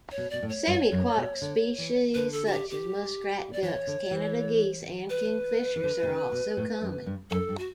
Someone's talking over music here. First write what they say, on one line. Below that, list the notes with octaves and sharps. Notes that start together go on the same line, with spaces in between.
Semi-aquatic species such as muskrat, ducks, Canada geese and kingfishers are also common.
C#5
B2
B2 D5
A2
C#5
G2
F#2
B2
D3
E3
D3 B4
A4
F#4
G4
G4
D5
E3 C#5
D3
E3
B4
E3
D3
B2
C#3
B2
A2
F#2
G2
F#2 A4
G2
F#4